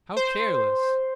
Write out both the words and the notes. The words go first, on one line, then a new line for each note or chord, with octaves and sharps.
How careless!
C5